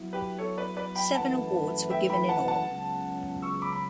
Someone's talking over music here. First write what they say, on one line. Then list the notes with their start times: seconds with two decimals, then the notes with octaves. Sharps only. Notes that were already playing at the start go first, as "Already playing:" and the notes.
Seven awards were given in all.
Already playing: F#3 B3 E4
0.13 G4 B4
0.38 A4 C#5
0.57 B4 D5
0.77 B4 D5
0.95 G5 B5
1.15 F#2 E3 A3 E4 B4 F#5 A5
1.90 E5 G5
2.10 G5 B5
2.28 F#5 A5
2.48 F#5 A5
2.66 C#2 C#3 F#3 B3
3.42 C#6 E6
3.62 B5 D6
3.72 B5